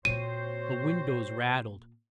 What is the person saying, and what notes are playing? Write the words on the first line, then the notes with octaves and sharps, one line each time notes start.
The windows rattled.
A#2 A#3 C4 F#4 C5 C#5 D#7